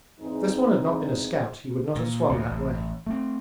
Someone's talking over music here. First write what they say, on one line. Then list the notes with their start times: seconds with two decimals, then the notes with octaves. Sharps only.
If this one had not been a scout he would not have swum that way.
0.20 E2 G#2 G#3 C4 D#4
1.95 A#2
2.29 D2 A2 C3
2.49 A1
3.07 A3 C4